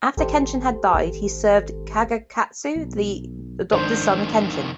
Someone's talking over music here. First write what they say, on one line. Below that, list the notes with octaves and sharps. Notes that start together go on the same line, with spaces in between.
After Kenshin had died, he served Kagekatsu, the adopted son of Kenshin.
G#1 G4 A4 C5
G#1
B1
G#1 F2 D#3 D4 C5